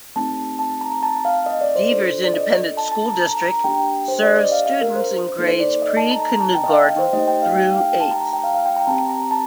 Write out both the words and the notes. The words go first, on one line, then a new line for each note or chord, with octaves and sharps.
Devers Independent School District serves students in grades pre-kindergarten through eighth.
A3 C4 D#4 G4 A5
A5
A#5
A5
F5
D#5
D5
C5
D4 F4 A4
D5
D#5
A5
A5
A#5
A#5
A#5
A#3 D4 G4 G5
C5
D5
D#5
F5
F5
A#4
C5
A#3 D#4 A4 C5
D5
D#5
A5
A#5
A#5
A5
G5
D#5
F5
G5
C5
A3 D#4 G4 D#5
G5
F5
G5
F5
G5
A5
A#5
G5
F5
F5
G5
A#5
C4 G4 A5
A#5
A5